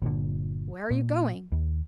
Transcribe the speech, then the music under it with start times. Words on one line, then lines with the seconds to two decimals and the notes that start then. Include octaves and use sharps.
"Where are you going?"
0.02 G1 A#2 D3
0.90 A#2
1.52 D#2